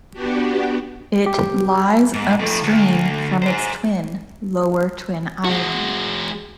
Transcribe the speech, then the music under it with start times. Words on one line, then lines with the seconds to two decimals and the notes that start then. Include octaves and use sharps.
It lies upstream from its twin, Lower Twin Island.
0.13 B3 D4 F#4 G4
1.26 G4
2.14 G#2
2.40 F3 A3
2.64 D2
3.42 G#4 C5
5.45 G#3 F#4